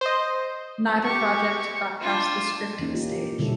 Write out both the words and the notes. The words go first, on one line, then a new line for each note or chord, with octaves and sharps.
Neither project got past the scripting stage.
C5 D#5
G4 C#6
D4 F4
E3 A#3 C#4 D#4
A#3 C#4 F4 G4
G4 A#4
C#4
B2 D3 G3 E4 A4